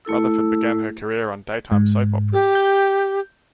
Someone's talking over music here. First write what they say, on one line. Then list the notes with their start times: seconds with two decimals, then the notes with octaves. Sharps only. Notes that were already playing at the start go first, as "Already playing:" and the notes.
Rutherford began her career on daytime soap operas.
0.05 A3 E4 A4 E6
1.72 G#2
2.33 G4
2.55 G6